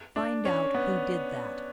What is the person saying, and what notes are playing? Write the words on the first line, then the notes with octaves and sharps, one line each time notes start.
"Find out who did that."
D4
C#4
B3